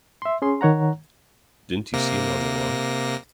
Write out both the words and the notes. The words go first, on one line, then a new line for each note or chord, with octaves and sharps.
Didn't you see him on the lawn?
E5 C6
C#4 G#4 C6
D#3 C#5 F#5 A#5
C3 A#3 A#6